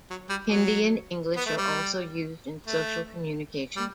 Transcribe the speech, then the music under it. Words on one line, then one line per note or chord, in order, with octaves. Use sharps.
Hindi and English are also used in social communication.
F#3
G3
F#3
B3
A3
G3
A3
G3